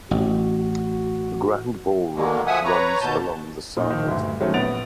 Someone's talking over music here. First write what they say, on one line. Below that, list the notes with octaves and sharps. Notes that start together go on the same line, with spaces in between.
The grand ballroom runs along the side.
A1 F#4
B2 D3 D#3 G#3 A#3
F3 E5 F#5 G#5 D#6
B4 C#5 A#5
D#2 B2 A5 G6
A#2 D#4
D#3 F3
D2 G2
D#3 F#3 G#3 A3 C4 C#4
A#1 B3 F#5 A6 D7 F7